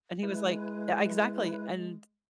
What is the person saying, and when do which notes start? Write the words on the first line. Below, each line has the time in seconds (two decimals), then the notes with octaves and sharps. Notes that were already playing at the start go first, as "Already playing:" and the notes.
And he was like uh, exactly. And
0.23 G#3 E4 B4